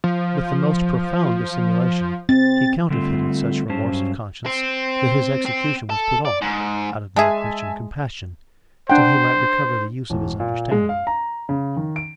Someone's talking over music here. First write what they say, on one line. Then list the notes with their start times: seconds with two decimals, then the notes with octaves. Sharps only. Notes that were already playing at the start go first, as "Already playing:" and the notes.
With the most profound dissimulation, he counterfeited such remorse of conscience, that his execution was put off, out of mere Christian compassion, till he might recover the use of his understanding.
0.04 F3
2.29 C4 A6
2.90 D3 G3 A3 C4 F4
3.69 G2 F#3 C#4 C5 A5
4.46 C4
5.46 C4
5.90 A4
6.25 D5
6.42 G#2
7.16 G#3 G#4 E5 G#5 A5
8.90 D4 C5 F#5 G5
10.10 E1
10.40 A#2
10.71 G#3
10.89 F5
11.07 A#5
11.49 C#3
11.77 D#3
11.96 D7